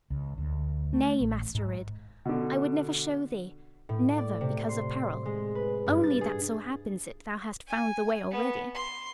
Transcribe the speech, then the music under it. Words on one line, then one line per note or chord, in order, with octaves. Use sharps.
'Nay, Master Ridd, I would never show thee--never, because of peril--only that so happens it thou hast found the way already.'
C#2
D2
A3
A1
G#2
B2 D3
A2
D5
C3
C6
G#3
B4
G2
A6
G#4
G#5
B3
C6